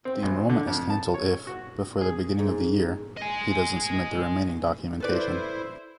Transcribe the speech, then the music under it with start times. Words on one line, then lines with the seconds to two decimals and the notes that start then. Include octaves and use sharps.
The enrollment is cancelled if, before the beginning of the year, he doesn’t submit the remaining documentation.
0.05 C4
0.23 G#1
0.49 D3
0.68 F2
0.90 A5
1.14 C#5
1.47 F#4
2.01 G#4
2.39 G#2
3.17 D#5 G#5
5.00 E4 A4 B4 C5 D5